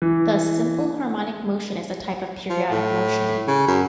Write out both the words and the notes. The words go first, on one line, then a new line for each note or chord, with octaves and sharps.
Thus simple harmonic motion is a type of periodic motion.
E3
F3
A2
C#3
F#2